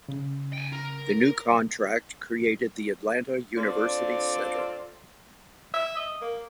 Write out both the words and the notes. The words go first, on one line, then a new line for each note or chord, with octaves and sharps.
The new contract created the Atlanta University Center.
C#3
G5 G#5
A#4
C4 D4 F4 A4 D5
E5
D#5
A#3